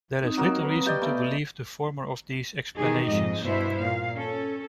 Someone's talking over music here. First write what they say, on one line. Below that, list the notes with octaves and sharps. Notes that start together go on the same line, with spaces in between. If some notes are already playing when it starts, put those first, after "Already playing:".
There is little reason to believe the former of these explanations.
C4 D#4 D#6
F#3 A#3 F#4
B4
G4 D5 D#5 G5
A3 B3
B2 D#3 E3 D#4 G4 G#4
F2 G#2 F3 D#5
G2 B2 B3 E4 C5 E5
A#2 F5
C#4 A4